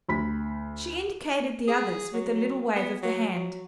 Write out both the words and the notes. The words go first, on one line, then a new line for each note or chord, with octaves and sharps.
She indicated the others with a little wave of the hand.
D2 B5 B6
G#4
F#3
B3
F#3
F#3